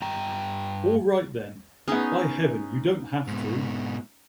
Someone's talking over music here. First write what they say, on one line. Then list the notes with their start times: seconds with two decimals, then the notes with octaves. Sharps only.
All right, then; by Heaven, you don't have to!
0.02 G2 G5 A#5
1.88 B3 C#4 D#4 G#4
3.27 G#2 B2